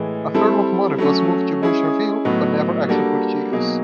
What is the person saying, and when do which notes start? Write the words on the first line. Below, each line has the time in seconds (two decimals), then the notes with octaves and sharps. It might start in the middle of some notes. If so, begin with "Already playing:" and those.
A third locomotive was moved to Boucherville, but never actually put to use.
Already playing: A2 E3 G#3
0.34 G3 C4 E4 A4
0.98 F#3 A3 C#4
1.62 G#3 C#4 E4 G#4
2.25 A2 F#3 B3 D#4
2.88 G3 A#3 D4 F#4 A4
3.52 B2 F#3 A#3 D#4 G#4